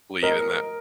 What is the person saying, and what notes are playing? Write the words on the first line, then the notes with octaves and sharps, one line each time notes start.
lead in that
A#4 D#5